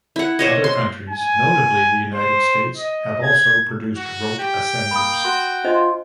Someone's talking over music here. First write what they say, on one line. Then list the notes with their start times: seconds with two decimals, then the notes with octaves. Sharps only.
Other countries, notably the United States, have also produced rope ascenders.
0.16 E4 F#5
0.39 C5 C#5 D#5
0.64 C6
1.10 G#5
2.14 C5
2.77 D#5
3.22 G#6
3.96 F#4
4.39 G4 G5
4.91 A#3 B5 D#6
5.25 F#4 C6
5.64 D4 F4 C5 D#5